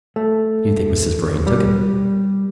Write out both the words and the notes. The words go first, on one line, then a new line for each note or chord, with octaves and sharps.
"Do you think Mrs. Vrain took it?"
A3
G3